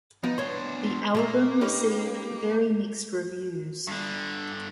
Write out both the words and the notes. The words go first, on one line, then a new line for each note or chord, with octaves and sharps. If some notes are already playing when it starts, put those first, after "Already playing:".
The album received very mixed reviews.
F3 B3 D#4
D4 C5 C#5 C6
A#2 A3 A#3 A#5
C#4 D#4 G4 B4
G2 D3